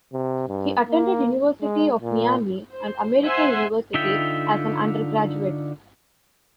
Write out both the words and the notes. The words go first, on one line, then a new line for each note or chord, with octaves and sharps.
He attended University of Miami and American University as an undergraduate.
C3
G2
A#3
G#3
A#2
C5
C5 E5 F#5 G#5 C6
D3 D#4 F4 E5 G5